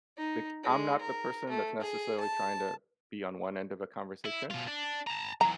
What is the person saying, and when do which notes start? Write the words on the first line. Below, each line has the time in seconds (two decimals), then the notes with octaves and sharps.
like, I'm not the person that's necessarily trying to be on one end of a conversation,
0.17 D#4
0.63 G#3
1.01 A#4
1.49 A3
1.81 G#4
2.20 A5
4.26 E4
4.51 B2 F4
4.68 D4
5.07 A5 A#5
5.41 E3 F#3 A#5